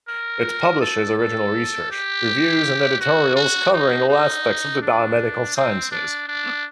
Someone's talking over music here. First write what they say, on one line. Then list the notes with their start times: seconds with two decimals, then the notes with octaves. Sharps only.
It publishes original research, reviews, and editorials covering all aspects of the biomedical sciences.
0.08 A#4
0.81 A4
1.18 A4
1.91 G4
3.00 F#4
3.36 F#4
3.73 D#4
4.09 D#4
4.82 D4
5.56 C4
5.91 D4
6.28 D4